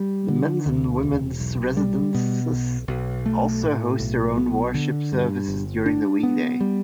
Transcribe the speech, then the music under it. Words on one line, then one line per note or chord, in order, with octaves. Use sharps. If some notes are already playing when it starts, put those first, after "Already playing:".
The men's and women's residences also host their own worship services during the weekday.
Already playing: G3
D3
D2
E1
B1
G3
B2
B1
B1
A3
A2
B1
B3
D3
G2
G1
D4
B3
G3